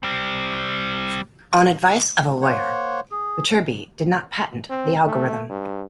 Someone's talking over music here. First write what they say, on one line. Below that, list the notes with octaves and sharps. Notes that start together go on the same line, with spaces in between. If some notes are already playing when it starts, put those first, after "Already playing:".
On advice of a lawyer, Viterbi did not patent the algorithm.
G3 C4
A#3 C5 C#5 F#5
G#4
C4
A3
G2